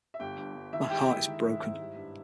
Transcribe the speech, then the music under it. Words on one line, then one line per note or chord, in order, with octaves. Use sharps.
My heart is broken.
E5
G1 G4 G5
G2
G2
D#3 E4 E5
G#3 G4 G5
G#3 E4 E5
D#3
G#2
G#2
G3
G2